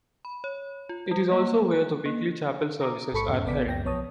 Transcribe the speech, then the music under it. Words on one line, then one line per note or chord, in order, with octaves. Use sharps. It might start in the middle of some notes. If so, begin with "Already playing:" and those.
It is also where the weekly Chapel services are held.
B5
C#5
F4
G3
A#3
F#6
A#3
A#5 D6 D#6
A1 G#2 A4 B5 C#6 C#7
E2 G#2 B2 C#4
A1 B3 D5 D6 B6
C#2 F#2 G5 A#6
B1 F3 B3 C#5 A5 D#6